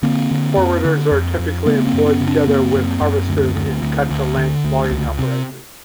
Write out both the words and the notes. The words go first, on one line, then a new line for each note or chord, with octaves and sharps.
Forwarders are typically employed together with harvesters in cut-to-length logging operations.
D3 A#3 C4
D3
F2
D3
F2
F2
C#3 A3 B3
A#3 C4
F#2
B3 C#4
C#3
C4 D4
F#2 A#3 C4
F#2
F#2
D2
D2
D2
D2
D3
D2
C#2
C3